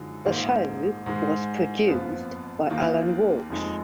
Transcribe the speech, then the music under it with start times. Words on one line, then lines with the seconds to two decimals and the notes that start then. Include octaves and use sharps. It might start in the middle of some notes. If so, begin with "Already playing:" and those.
The show was produced by Alan Walsh.
Already playing: F#2 D3 F3 G#3 D#4
0.25 A#1 G#2 D#3 A#3
1.06 G#2 D#3 G#3
1.88 F#1 F2 F3 B3 F4
2.69 D#2 D#3 A#3 F4
3.50 F1 F2 F3 G#3 D#4